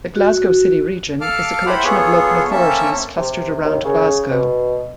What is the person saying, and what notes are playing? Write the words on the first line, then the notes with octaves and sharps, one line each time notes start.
The Glasgow City Region, is a collection of local authorities clustered around Glasgow.
F#4
A4 F5 A5 D6 F6
E4 G4 C5 F#5 B5
B3 F4 G#4 A4 C#5
A#3 C4 C#4 A4 E5 A5
C3
D#2
C#3
B2